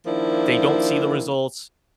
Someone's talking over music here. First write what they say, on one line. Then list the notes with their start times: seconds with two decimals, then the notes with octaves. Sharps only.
They don't see the results,
0.06 D#3 F3 A#3 D4 E4